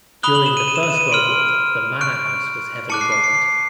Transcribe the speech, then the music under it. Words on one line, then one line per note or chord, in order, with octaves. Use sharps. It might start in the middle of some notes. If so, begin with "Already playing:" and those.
During the First World War the manor house was heavily bombed.
B5 D#6 F#6 G7
F#7
E7
D#7
D#7
E7
D#7
E7
D#7
C6 F6 D7
C#6 F#6 D7
A5 D6 F#6 C#7
C7
C7
C#7
C7